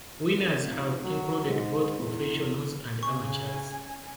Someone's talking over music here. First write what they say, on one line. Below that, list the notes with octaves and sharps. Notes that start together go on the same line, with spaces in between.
Winners have included both professionals and amateurs.
A1
F1
F#3
G#2
E2
C#3 C#4 G#5 C#6